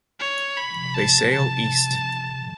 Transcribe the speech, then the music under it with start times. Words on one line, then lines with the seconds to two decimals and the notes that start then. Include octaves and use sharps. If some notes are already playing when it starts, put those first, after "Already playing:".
They sail east.
0.20 C#5
0.57 B5
0.95 A5
1.32 A5